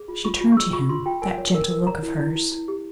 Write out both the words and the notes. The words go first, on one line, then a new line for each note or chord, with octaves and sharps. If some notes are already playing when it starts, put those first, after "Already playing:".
She turned to him that gentle look of hers.
Already playing: G#4
F4
F4 C#6
F4
C#6
G#4 E6
F4 C#6
F4 C6
F4 G5
A#4 G#5
C#5
A#4
A#4
C#5 A#5
E4
E4
E4
E4
G4